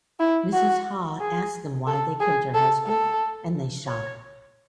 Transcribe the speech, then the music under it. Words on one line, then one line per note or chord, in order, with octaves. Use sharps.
Mrs. Ha asked them why they killed her husband and they shot her.
E4
F#4
G#4
A4
G#4
A4
A4
C#5